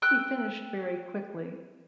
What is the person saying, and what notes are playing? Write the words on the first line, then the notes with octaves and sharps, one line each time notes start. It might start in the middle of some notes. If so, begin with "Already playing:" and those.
He finished very quickly.
G5 E6 F#6